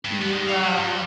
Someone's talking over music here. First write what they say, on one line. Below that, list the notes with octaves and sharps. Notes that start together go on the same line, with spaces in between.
"You" um,
G2
E2 B3
G#2 G#3
C#5 F5
G3
G2